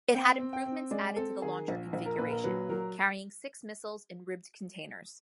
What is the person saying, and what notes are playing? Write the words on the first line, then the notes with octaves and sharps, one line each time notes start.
It had improvements added to the launcher configuration, carrying six missiles in ribbed containers.
C4 G5
C4
G5
C4
G#3 D5
C4 A4
D#3 G#4
A#1
A#1
A#4
A#2 B4
A#4
F#3 B4
F#3 A#4